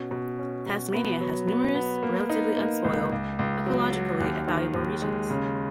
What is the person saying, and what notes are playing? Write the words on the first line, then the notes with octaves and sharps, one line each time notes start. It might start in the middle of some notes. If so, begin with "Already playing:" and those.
Tasmania has numerous relatively unspoiled, ecologically valuable regions.
Already playing: B2 C#4
B2
C#4
B2
B3
F#3
B3
B3
A#3
D#4
A#3
C#2
C#2
C#2
F#3
F#3
D#2
D#3
D#2
G#3
C#3